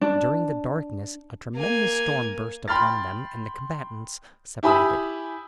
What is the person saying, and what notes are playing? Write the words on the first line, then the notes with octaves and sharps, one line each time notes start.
During the darkness a tremendous storm burst upon them and the combatants separated.
D4
A#3 G#5
G5 B5 C6 F6 A6
E4 G4 G#5 B5 D#6 E6